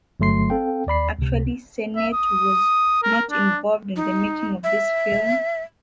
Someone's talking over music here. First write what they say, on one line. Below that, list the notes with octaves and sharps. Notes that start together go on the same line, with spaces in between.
Actually, Sennett was not involved in the making of this film.
G1 F#3 A3 C6 C7
C4 A4 F5 G5
D#2 D5 B5 C7
C#2 C3
E5
D#6
A#4
D4
D#4
E5